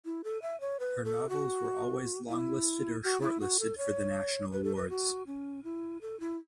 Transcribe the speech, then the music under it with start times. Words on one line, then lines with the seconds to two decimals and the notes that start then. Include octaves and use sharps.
Her novels were always longlisted or shortlisted for the national awards.
0.05 E4
0.24 A4
0.42 E5
0.61 C#5
0.80 B4
1.05 A4
1.29 F#4
2.29 E4
3.04 F#4
3.21 E4
3.41 F#4
3.60 A4
3.78 C#5
4.52 B4
4.64 A4
4.76 B4
4.89 F#4
5.27 C#4
5.64 E4
6.01 A4
6.20 E4